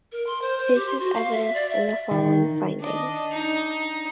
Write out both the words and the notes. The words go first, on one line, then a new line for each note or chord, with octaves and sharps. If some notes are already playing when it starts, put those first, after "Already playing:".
This is evidenced in the following findings.
A#4
C6
C5
C5
G4
C6
F#4
F5
E5
D5
E5
D#3
D4 D#5
D#4